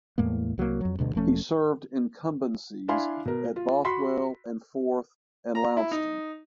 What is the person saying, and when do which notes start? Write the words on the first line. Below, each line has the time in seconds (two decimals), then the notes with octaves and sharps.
He served incumbencies at Bothwell and Forth and Launceston.
0.18 E2 A2 G#3 A#3
0.58 C2 F#3 G3 A#3
0.81 F2 F#3
0.99 D2 G2 B2 D3
1.15 E1 F3 A3 C#4
2.88 D4 E4 F5 G#5 B5 C6
3.25 B2 A#4
3.56 F4
3.85 F#4 B5 C6 B6
5.55 A#5
5.77 E4
5.91 D#4